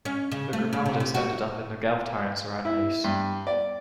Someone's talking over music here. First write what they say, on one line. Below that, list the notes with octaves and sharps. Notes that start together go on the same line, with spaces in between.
The Grimaldis ended up in the Guelph towns around Nice.
C#4
C#3
A3
C#3
C3
C3
F#4
E4
G2
D5